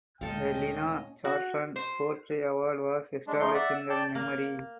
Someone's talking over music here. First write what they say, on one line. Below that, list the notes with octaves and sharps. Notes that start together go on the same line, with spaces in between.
The Lina Chartrand Poetry Award was established in her memory.
D2 A#2 G#3 A4 D#5 F5 G5
C#4
F#4
C5
G#3 D4
F3 A3 D#4 C6
D5 E5 F#5
E6
D5 G5 A5
A#3